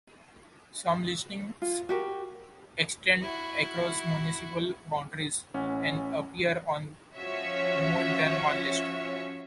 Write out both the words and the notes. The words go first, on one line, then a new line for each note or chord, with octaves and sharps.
Some listings extend across municipal boundaries, and appear on more than one list.
F4
F#4 G4 A#4
E4 F#4
A1 C#4 F#5
F3 C#4 F#4 C#5 E5